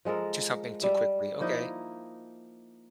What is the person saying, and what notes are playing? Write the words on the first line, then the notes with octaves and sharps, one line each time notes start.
Do something too quickly. Okay.
F3 G#3 A4 A#4
G3 E5
F3 A#3 D#4 E4